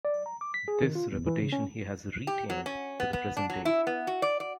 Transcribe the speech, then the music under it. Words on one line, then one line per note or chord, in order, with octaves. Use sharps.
This reputation he has retained to the present day.
D5
A#5
D6
B6
G#4
D#3
F4
E2
E3
C#3
C#4
G4
F#3
C#4
B3
B3
D4
F#3
E4
B3
F#4
D5
D5